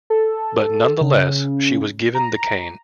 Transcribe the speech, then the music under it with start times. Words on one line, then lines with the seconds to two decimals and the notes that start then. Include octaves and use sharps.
But nonetheless, she was given the cane.
0.10 A4
1.01 C#3
2.15 A#5